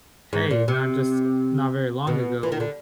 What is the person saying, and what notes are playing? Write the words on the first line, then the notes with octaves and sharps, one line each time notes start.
"Hey, not just not very long ago
G#2
A#2
C3
B2
E3
D#3
D3